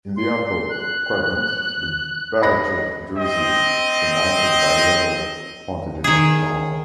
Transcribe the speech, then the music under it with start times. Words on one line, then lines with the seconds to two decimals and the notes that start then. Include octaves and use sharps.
In the upper quadrant the badge of Jersey surmounted by a yellow "Plantagenet crown".
0.16 C6
0.69 F#6
2.42 D#5 B5 A#6
3.16 C4 D#5
6.04 D#3 G#4